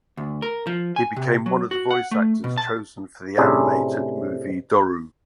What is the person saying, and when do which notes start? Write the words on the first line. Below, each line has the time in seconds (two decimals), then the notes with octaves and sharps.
He became one of the voice actors chosen for the animated movie "Doru".
0.17 D2
0.42 A#4
0.67 F3
0.96 G#5
1.16 C3
1.46 F#3
1.71 F#4
1.91 F#5
2.11 A3
2.44 B2
2.58 A5
3.38 A2 C3 C#4 D4 G#4